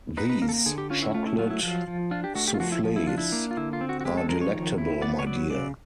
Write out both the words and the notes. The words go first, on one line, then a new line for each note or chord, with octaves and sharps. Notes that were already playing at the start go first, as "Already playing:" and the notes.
These chocolate soufflés are delectable, my dear.
D#4 B4
B4
A#3 A#4
A4
A#4
D3 G#4
G4
C#4 F4
E4
A3 F4
E4
F#3 F4
E4
F3 F4
F3
D4 F4
G4
A3 F#4
G4
F4
F3 F#4
E4
F3
E4
D4 F4
E4
A#3
F4
D3 E4
F4
C4
F#4
F#4
G#3 G4
A4
F3 A#4
C#5
D#3
E4
B3 D5
C#5
F#3 D5
C#3 D5